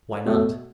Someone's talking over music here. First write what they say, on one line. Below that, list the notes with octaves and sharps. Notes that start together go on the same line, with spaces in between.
Why not?
B2 A3